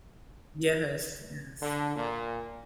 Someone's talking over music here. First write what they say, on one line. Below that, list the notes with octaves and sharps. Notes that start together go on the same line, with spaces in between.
Yes, yes.
D3
A#2